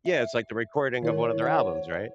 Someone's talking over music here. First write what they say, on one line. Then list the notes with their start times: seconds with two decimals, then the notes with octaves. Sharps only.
Yeah, it's like the recording of one of their albums, right?
0.06 E5
1.02 D#3 E4 A#4 C#5
1.42 C5 F#5